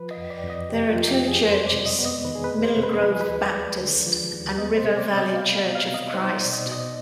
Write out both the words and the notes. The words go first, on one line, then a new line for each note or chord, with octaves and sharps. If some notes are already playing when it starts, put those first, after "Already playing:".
There are two churches, Millgrove Baptist and River Valley Church of Christ.
Already playing: F3 B4
D#5
F2
D5
F2
D#5
C3 G4
F4
F3
G4
F2
G#4
G#3 C5
D5
C3
D#5
B3
D#5
D#3 B4
G#4
B4
G#3
C5
C3
B4
F3 B4
G#4
B4
D#2
D5
G#3
D3
F3
D#2
B3 D#5
C5
C3
D5
C3
D#5
G3 F5
B3
F5
C3
D#5
D#4 C5
C5
D5
B2
D#5
B2
D#5